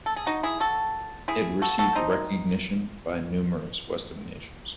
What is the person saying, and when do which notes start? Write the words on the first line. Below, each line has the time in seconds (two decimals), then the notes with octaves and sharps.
It received recognition by numerous western nations.
0.06 A4
0.16 G#4
0.26 D#4 F#4
0.43 E4 G#4
0.60 F#4 A4
1.28 E4 G#4
1.62 F#4 A4
1.79 F#4 A4
1.95 C4 D#4